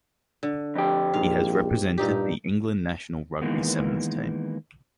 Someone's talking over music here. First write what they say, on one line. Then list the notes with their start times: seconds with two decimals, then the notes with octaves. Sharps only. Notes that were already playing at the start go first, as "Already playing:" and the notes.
He has represented the England national rugby sevens team.
0.43 D3
0.75 F2 G4
1.14 A#1 G#2 F5
1.98 G2 A#2 D#4 G4
3.41 D#3 E3 G#3 A#3 B3